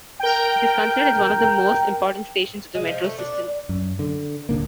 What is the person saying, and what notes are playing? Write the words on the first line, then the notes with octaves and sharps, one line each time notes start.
It is considered as one of the most important stations of the Metro system.
A#4 G5
G#3
F3
A3
D4
F#2
D3
D1 D3 A#3